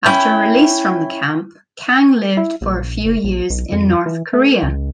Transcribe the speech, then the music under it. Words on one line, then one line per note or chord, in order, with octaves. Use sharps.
After release from the camp, Kang lived for a few years in North Korea.
C#4 E4 G5
E4
A#1
F#1
A#1
B1
F2
E3
A3
C#2